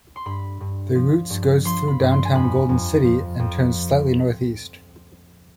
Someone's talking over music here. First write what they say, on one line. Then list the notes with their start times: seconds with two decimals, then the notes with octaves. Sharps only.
The routes goes through downtown Golden City, and turn slightly northeast.
0.16 C6
0.26 G2 B5
0.61 G2
0.95 F3
1.30 G2
1.65 F3 C6
1.88 B5
2.00 G2
2.11 C6
2.25 G#5
2.34 F2 B5
2.69 F2
3.04 F3
3.39 F2